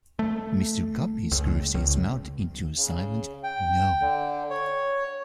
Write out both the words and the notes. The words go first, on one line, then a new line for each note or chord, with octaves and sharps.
Mr. Guppy screws his mouth into a silent "No!"
A3
C#2
C#2
C#3
G5
D3
C#5